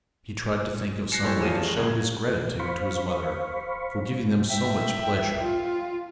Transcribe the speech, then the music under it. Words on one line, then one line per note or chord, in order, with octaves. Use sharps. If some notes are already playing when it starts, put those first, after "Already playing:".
He tried to think of some way to show his gratitude to his mother for giving them so much pleasure.
F#6 A#6 C7 C#7 E7
E4 G4 A4 C5 C#5 G#5
E2 F3 F4 D#7 E7
G#3
G1 C#2 G#6
C5 F5 B5 C#6
E5 G5
F4